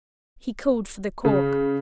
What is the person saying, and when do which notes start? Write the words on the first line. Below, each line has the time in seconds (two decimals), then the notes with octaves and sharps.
He called for the cork.
1.25 C#3